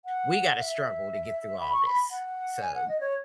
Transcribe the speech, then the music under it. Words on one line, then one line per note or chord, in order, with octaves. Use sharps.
we got to struggle to get through all this so,
F#5
F#5
E5
B5
C#6
B5
F#5
G#5
F#5
D#5
C#5